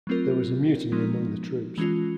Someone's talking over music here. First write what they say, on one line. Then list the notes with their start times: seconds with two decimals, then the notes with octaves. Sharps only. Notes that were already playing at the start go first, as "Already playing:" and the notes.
There was a mutiny among the troops.
0.07 F#3 A3 C4 F4 A#4
0.92 F3 G#3 B3 D#4
1.78 E3 G#3 C#4 F4